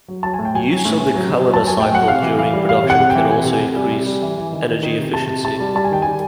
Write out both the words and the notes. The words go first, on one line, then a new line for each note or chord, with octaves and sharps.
Use of the Kalina cycle during production can also increase energy efficiency.
F#3
F#3 A5
G#5
A2
G5
F#3 G#5
F#3
A2
A2
F#3
F#3
F#3
A5
F#3 G#5
A2 G5
F#3 F#5
C3 F5
E3
E3 F5
G3
E3 F5
C3
F#5
C3
G5
E3
C3 G#5
C3
C3
G3
C3
G3
E3
E3
D#3
D#3
D#3
C3
C3 A5
C3
C3 A5
G3
G3 A5
G#5
D#3 G5
G3 G#5